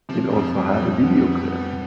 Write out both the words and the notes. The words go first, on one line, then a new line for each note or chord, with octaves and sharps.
It also had a video clip.
C3 F3
F2 G3
F3
F2
G3
F2
B3
F2
B3